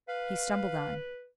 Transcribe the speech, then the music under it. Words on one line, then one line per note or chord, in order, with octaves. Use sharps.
He stumbled on.
B4 F5